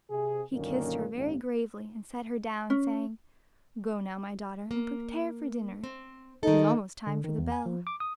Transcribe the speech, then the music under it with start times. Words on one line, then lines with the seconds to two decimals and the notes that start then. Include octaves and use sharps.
He kissed her very gravely, and set her down, saying, "Go now, my daughter, and prepare for dinner; it is almost time for the bell."
0.10 C3 G#4
0.53 F#2 A#2 D3 D#3 A#3 C#4
1.15 A1 G2
2.70 C#4
4.71 A#3
5.84 C4
6.43 D#3 D#4 A4
7.07 D3
7.24 D#3
7.38 E2
7.52 G#5
7.66 F3
7.87 D6
8.00 D#6